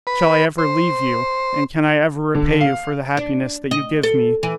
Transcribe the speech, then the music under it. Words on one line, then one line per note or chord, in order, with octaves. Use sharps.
Shall I ever leave you, and can I ever repay you for the happiness that you give me?
B4
C5
D3
F5
D4
D#5
A4
E3